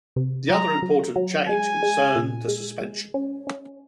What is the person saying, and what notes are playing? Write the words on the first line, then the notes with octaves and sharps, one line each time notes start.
The other important change concerned the suspension.
C3
F#3 A#5
F#3
F#3
G#3 G#5
G#3
A#2
G#3
G#3
C#4
C#4